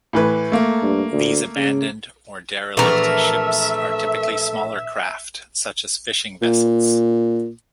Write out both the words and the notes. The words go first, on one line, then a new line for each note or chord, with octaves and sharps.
These abandoned, or derelict ships are typically smaller craft, such as fishing vessels.
A2 E3 B4
A3 A#3
G2
D2
C#3
A#1 E3 A3 B3 A#4 E5
A#2